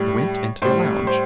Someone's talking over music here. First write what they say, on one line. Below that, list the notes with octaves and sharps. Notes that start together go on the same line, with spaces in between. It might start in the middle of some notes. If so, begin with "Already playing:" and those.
I went into the lounge.
Already playing: A2 G3
A2 G3 C5
C5